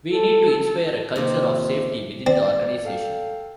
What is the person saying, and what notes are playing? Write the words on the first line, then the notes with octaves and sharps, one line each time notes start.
We need to inspire a culture of safety within the organisation.
A4
D#2 C3 F3
C4 D5
A4 F5 G5